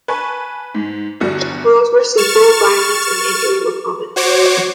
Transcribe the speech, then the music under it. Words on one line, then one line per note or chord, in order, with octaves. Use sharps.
Rules were simple, violence and injury were common.
B4 G#5 A5 C#6
G#2
G1 E2 G3 F#4
C#6 F6 A6 E7
F#4 C5 C#5 D6